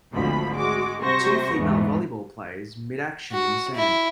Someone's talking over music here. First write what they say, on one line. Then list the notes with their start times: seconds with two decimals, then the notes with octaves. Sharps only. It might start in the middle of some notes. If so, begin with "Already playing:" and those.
Two female volleyball players midaction in the sand.
0.11 G#1 D2 B2 F3 B5
0.56 G#3 F#4 D6
1.02 C3 G3 F#4 C5 C#6 A#6
1.55 E2 G#2 A3 B3
3.32 F#4
3.75 E4